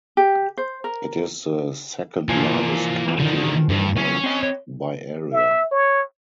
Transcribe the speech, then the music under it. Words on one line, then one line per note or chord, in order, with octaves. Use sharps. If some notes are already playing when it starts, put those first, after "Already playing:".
It is the second-largest county in Vermont by area.
G4
C5
A#4
E3 F3 A#3 G#5
D3 D#3
G2
C#3 E3 F#3 C#4
C4 D#5
E5
C#5